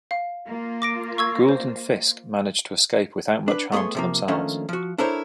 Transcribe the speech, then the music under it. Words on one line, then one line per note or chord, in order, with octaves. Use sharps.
Gould and Fisk managed to escape without much harm to themselves.
F5
A#3 F4
D6 A#6 D7
C#6 E6 G#6
C5
D4 B4
A3 B3 G#4 C#5 C6
C3 F3 A#3
D#3 F3 A3 A#3 C#4 D4
F3 F#4
D4 E4 A4 A#4 C5 C#5